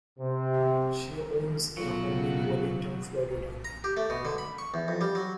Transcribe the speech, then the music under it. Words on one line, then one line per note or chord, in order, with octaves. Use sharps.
She owns a home in Wellington, Florida.
C3
B2 F#3 A3 F4 F#4
A#5
G4
A3
B2
D3
B5
C#6
E2
F2
G3
F#3